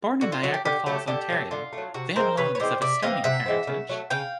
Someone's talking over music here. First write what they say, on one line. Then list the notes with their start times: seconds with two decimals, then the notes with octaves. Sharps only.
Born in Niagara Falls, Ontario, Van Loan is of Estonian heritage.
0.21 D3 F#4
0.32 F4
0.43 F#3 A3 F#4
0.54 G4
0.65 D3 G4
0.86 F#3 A3 G4 A4
1.08 D3 G4 A4
1.30 F#3 A3
1.51 D3 F4
1.73 F#3 A3
1.94 C3 F#4
2.16 E3 G#3 C4 A#4 C5
2.37 C3 B4 C#5
2.55 C#5
2.60 E3 G#3 C4 C5 D5
2.82 C3 D5 E5
3.03 E3 G#3 C4 D#5 F5
3.24 C3 E5 F#5
3.46 E3 G#3 C4
3.67 C#3
3.89 F#3 A3
4.10 C#3 F5 G5